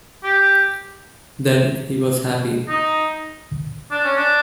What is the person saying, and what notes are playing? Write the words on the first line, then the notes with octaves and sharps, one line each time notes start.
Then he was happy.
G4
D#4
D4
C#4
D4